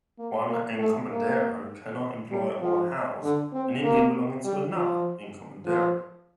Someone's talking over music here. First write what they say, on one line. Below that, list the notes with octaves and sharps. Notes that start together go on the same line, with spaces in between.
One "encomendero" cannot employ or house an Indian belonging to another "encomendero".
A#3
A#3
A3
A#3
G3
F3
D3
C4
A#3
G3
F3
F3